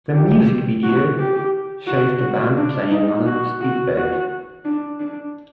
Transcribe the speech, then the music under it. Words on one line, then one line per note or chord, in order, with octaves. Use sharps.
The music video shows the band playing on a speedboat.
G4
F#4
G4
F#4
F#4
D4
D#4
F#4
F#4
F#4
D4
D4